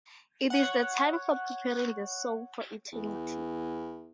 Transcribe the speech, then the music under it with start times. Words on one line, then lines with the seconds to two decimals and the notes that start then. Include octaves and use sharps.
It is the time for preparing the soul for eternity.
0.50 C#5 F#5
2.92 E2